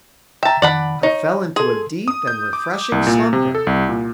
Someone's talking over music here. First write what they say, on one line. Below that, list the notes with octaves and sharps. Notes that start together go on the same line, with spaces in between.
I fell into a deep and refreshing slumber.
E5 G5 A5 A#5
F2 D#3 D5 F#5 A5 B5
D#4 C#5
G#4 A4 C6
D#6
G6
D6
C2
A#2
C3
A4
C2
A#2